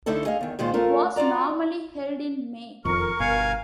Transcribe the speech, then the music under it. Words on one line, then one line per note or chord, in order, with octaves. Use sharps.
It was normally held in May.
D3 A3 D#4 E4 A4
G#4 D#5 F5
E2 D#3
A#2 D#3 G#3 F4 C5
A3 F4 A#4
F4 F#4 D5 A#5
E1 F2 D#3 A#4 C#6
G1 B2 F5 G#5